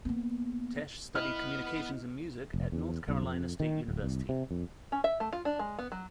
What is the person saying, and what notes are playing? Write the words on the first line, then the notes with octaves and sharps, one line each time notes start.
Tesh studied communications and music at North Carolina State University.
A#3 B3
B3 E4 B4 D#5 F6
F1
E2
B1
F2
D#3
D1
C2
C3
F2
C#4
E5
A3
F4
D4
G#3
B3
F#3